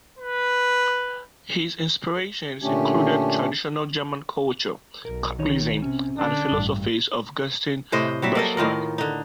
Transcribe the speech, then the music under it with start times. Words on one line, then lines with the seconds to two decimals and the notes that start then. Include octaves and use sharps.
His inspirations included traditional German culture, Catholicism and the philosophies of Gaston Bachelard.
0.19 B4
2.62 A#2 D3 A3 C#4 D4 G4
5.05 B1 A#4
5.39 D#3 D#4 C#5
5.82 C3 C#4
6.18 D3 D4
6.52 A1 G2
7.92 A2 C3 C5 D#5
8.22 F#3 G3 E5
8.35 A#3 A4 D#5
8.57 A2 D#3 F4 A#4
8.98 D3 D#4